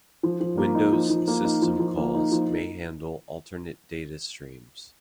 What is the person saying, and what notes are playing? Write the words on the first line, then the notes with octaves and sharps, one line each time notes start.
Windows system calls may handle alternate data streams.
F3
F3
A#3
D#4
F3
F3
A#3
D#4
F3
F3
A#3
D#4
F3